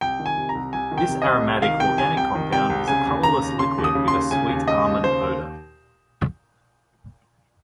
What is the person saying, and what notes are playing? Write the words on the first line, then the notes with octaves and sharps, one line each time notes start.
This aromatic organic compound is a colorless liquid with a sweet almond odour.
C2 G5
D#3
G#5
C3
A#5
C2
C2 G#5
D#3
G5
C3
C2 D#5
C2
D#3 F5
C3 G5
C2 G#5
C2 G5
D#3
C3 G5
C2
C#3 G#5
D#2
C#3 A#5
D#2
C#3 C6
D#2
D#6
C#3
C6
D#2
C#3 G#5
D#2
C#3 D#5
D#2
C#3 C5
D#2